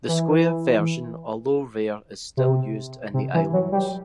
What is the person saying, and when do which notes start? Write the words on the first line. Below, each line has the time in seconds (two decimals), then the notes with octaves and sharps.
The square version although rare is still used in the islands.
0.08 E3
2.37 C3
3.14 C3
3.34 E3
3.53 F#3
3.72 G3